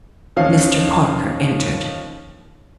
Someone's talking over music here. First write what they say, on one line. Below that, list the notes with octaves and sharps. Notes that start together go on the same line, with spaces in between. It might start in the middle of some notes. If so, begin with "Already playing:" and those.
Mr. Parker entered.
D#2 F3 C#4 F5